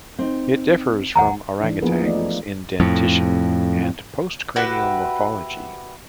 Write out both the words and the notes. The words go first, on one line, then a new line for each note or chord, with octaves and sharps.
It differs from orangutans in dentition and postcranial morphology.
C4 D#4
D#2 F#5 G#5 A#5
E3 D4
F3 A#3 B3 G#4 A#4 B4
A3 D#4 D5
F4
F2 A2
F#4 G4 B4 E5